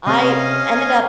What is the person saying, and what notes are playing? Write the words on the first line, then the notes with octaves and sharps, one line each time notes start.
I ended up
C3 C#4 D#5 F5
G#5